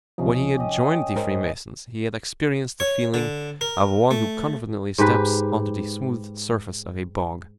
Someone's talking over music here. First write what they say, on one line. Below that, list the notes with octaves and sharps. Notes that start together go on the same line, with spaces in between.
When he had joined the Freemasons he had experienced the feeling of one who confidently steps onto the smooth surface of a bog.
D2 C3 F3 C#4 D#4
G4 D#5
G#2 A#4 C5 D#5
C#5
D3
A#4
A3
G#2 G4 B4